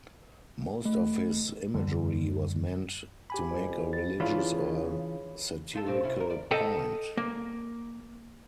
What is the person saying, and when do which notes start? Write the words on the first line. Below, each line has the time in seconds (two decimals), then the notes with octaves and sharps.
Most of his imagery was meant to make a religious or satirical point.
0.85 A3
1.74 F#2 D3 G3
3.30 G4 G#5 B5
3.50 F2
3.93 F2 A6
4.20 C#3 E3 D4 F4 B5
5.73 D#4 F4 A4
5.86 A2 C4 C5
6.02 C3 C#4 E4
6.16 G3 C4 A#4
6.30 D5
6.51 A4 D#5 G5
7.17 A#3